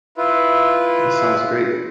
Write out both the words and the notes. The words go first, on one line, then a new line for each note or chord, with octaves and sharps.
That sounds great.
E4 F4 B4